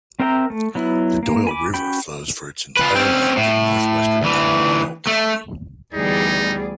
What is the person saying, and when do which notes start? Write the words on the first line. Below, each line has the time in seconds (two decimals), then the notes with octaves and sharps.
The Doyles River flows for its entire length in northwestern Albemarle County.
0.20 C4 A#4 E5 G5 A#5
0.50 A3
0.75 F#3 B3 E4
1.23 A#3
1.47 G#5 B5 D6
1.74 C#4 F#4 G5 B5
2.77 F4 B4
2.95 C4 C#4
3.37 A2
4.22 D2 E3
5.07 A3
5.94 D2 E3 G3 B3 D#4 G#4 D5